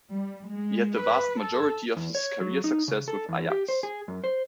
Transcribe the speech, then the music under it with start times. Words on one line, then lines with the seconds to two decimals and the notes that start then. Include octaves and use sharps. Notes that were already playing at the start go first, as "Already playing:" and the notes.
He had the vast majority of his career success with Ajax.
0.14 G3
0.50 G#3
1.01 B4
1.42 A4
1.97 E2
2.15 C#5
2.40 F#3
2.64 D#4
2.88 C#3
3.08 A4
3.29 E2
3.50 G4
3.68 C5
3.83 G#4
4.08 F#2
4.24 C5